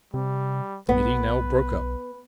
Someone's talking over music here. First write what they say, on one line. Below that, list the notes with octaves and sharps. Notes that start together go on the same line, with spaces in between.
The meeting now broke up.
C3 G3
B1 B3 B4